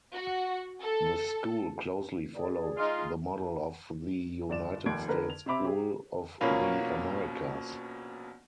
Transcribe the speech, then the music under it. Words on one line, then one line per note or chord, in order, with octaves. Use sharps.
The school closely followed the model of the United States School of the Americas.
F#4
A4
G#4 D5
G#3 D#4 F4
G1 D5 E7
F1 D#2 G#6 D7
D3 A#4 B4
F7
C3 C4 E5 B5 D6
G4 G#4
A#1 B2 A#3 C#4 F4 B5